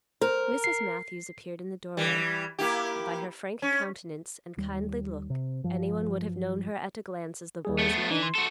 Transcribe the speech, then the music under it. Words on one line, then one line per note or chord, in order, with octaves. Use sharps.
Mrs. Matthews appeared in the doorway; by her frank countenance and kindly look anyone would have known her at a glance as the boy's mother.
A#4 C5
C7
E3 G3
A#3 E4 G4
C#4
D#2 G3
C3
G2 F3
D#2 G3 G#4
A3 B3
A6 C7
E3 D4 D#4 B4
C6
F#4 A4